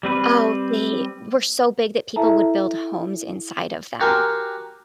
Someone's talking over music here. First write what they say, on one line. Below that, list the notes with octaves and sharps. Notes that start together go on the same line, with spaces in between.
Oh, they were so big that people would build homes inside of them.
G3 C4 B4
E4 A4 E5 A5 A#5
F#4 G4 A#4 G#5 A5 C6